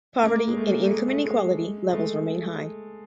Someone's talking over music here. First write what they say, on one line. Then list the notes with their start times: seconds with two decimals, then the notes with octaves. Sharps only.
Poverty and income inequality levels remain high.
0.23 A#3
0.48 G#3
0.57 A3
0.84 A3
0.91 G#3
1.08 A3
1.25 G#3
1.88 G#3
1.93 A3